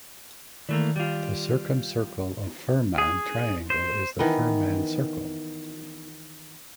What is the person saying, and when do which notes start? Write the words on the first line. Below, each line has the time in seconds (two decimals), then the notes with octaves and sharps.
The circumcircle of Fuhrmann triangle is the Fuhrmann circle.
0.69 D#3 E3 A3 A#3
0.96 G3 F4
2.98 G#4
3.70 C5
4.19 D#3 E3 B3